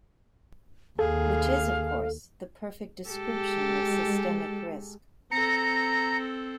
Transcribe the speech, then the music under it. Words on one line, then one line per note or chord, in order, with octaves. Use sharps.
Which is, of course, the perfect description of 'systemic risk'.
D#2 G#4 A4 F5
G#3 G4 A4
C4 A4 A#5 A#6 C#7